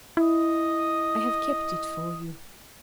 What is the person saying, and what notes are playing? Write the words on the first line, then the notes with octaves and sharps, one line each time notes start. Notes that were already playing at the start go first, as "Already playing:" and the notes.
I have kept it for you.
E4 D#5 D#6